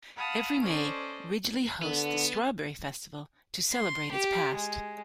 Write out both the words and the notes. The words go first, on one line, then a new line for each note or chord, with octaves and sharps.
Every May, Ridgely hosts the Strawberry Festival to celebrate its past.
F5 F#5 A5 B5 D#6 F6
C#4 A4 C5 D5 D#5
D3 B3
C6
G4
G#3